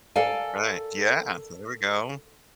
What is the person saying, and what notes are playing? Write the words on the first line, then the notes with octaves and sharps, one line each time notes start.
Right. Yeah. There we go.
A4 A#4 D5 F5 G#5